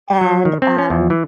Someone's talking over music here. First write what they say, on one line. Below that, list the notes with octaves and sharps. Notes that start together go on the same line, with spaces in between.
and, um,
F#3
D#3
C4
C#4
E2
E3